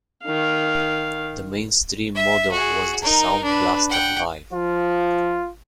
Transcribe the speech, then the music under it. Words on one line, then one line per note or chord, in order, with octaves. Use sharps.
The mainstream model was the Sound Blaster Live!
D#3 F5
E5
F#4 G#4
D#4 A#4
D4 B4
F#5 G5
F3 F4